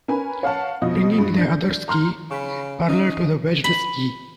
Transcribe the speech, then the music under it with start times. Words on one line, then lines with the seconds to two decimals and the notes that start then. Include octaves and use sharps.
Bringing the other ski parallel to the wedged ski.
0.08 C#4 A#4 B4 G#5 B5
0.43 C#5 F5 F#5 A5
0.81 F2 B2 F3 D#5
1.18 G2
1.37 D4 G6
1.88 A#5 C6 F6
2.31 C#3 B5 C#6
2.89 C#4 D#4
3.64 B5